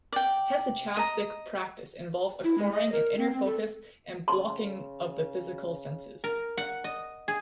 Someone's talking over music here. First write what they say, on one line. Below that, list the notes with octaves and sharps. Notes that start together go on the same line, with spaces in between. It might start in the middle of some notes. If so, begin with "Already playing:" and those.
Hesychastic practice involves acquiring an inner focus and blocking of the physical senses.
D5 G5
D#5 A#5
E4
G#3
D#5
A#4
C4
C4
A4
C#3 C6
A#4
F#5
D#5
G#4